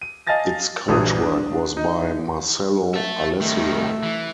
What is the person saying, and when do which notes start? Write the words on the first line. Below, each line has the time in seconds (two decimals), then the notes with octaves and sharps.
Its coachwork was by Marcello Alessio.
0.02 D#7
0.27 D#5 F5 G#5 A5 A6 A#6
0.88 A#1 G2 E3 F#3 D#6
1.22 D4
1.77 D#4
2.94 E5 A5
3.41 F2 D#3 A3
4.03 E3